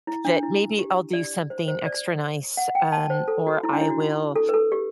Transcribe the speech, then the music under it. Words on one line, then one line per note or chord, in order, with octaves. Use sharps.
that maybe I'll do something extra nice, um, or I will,
E4
D4
E4
G4
D5
C5
C5
D5
F#5
G5
A5
C5
A4
F#4
E4
D4
E4
F#4
F#4
A4
B4
A4
G4